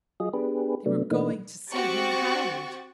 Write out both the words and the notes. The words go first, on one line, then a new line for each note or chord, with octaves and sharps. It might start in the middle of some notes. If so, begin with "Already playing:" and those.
They were going to see him hanged.
F#3 F4 G#4 D#5
B3 D4 G4 G#4 B4
C3 F#3 A3 B3 D4
B2 E3 A3 A#3 D4 D#4
C4 F#4 G4 C#6 A6